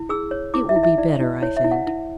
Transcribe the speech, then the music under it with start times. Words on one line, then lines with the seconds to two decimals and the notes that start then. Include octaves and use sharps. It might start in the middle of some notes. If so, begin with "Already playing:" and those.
"It will be better, I think."
Already playing: E4
0.09 G#4 E6
0.31 C#5
0.54 E4 D6
0.69 E5
0.76 E4
0.83 E5
0.98 E4 D5
1.21 E4
1.42 E4 C#5
1.57 E5
1.64 E4
1.71 F#5
1.87 E4